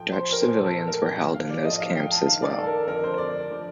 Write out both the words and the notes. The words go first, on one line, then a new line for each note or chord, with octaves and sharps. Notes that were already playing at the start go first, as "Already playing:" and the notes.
Dutch civilians were held in those camps as well.
Already playing: A2 F3 G5
C5
A#4
A#2 F3 C5
A4
A#4
A#2 F3 G5
F5
D5
A2 F3 D#5
F5
G5
A5
G2 D#3 F5
D5
A4
A#4
A4
F2 D3 F3 A#4
C5
D5
D3 F3